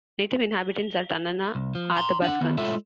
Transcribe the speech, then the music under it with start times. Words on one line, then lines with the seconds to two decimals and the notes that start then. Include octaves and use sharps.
Native inhabitants are Tanana Athabaskans.
1.55 C2
1.75 F3
1.96 A#5 C6
2.22 D4 F#5
2.41 D#3 B3
2.58 G#3 E4 F4 A4 C#5 E5